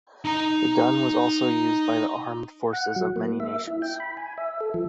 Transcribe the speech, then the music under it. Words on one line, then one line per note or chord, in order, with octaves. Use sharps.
The gun was also used by the armed forces of many nations.
D#4 A#5
F#5
F#3
A#3
E5
E4
G5
B5
G#5
E5
A4
F3